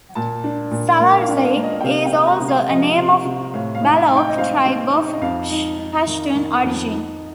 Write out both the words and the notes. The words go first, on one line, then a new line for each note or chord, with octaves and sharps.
Salarzai is also a name of Baloch tribe of Pashtun origin.
A#2 A5
D4
A#2
A#3
F5
D4
F5
A#3
D#5
G5
C3 F5
F5
G5
C3
A#5
C3
F5
F3 D#5
C3
C3
A2 F5
F5
D#4
F5
D#4
G5
D#5
C4 F5
C4
D#4
D#5
F2 F5
D#4
D#4
D#3
D#3
F2
D#4